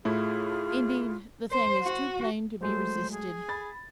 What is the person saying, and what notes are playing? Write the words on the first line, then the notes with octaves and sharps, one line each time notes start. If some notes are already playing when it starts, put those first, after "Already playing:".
Indeed the thing is too plain to be resisted.
A2 A3 E4 F4 G#4
C5
F#4
F#3 G#3 A3 C5
G#4
B5 A6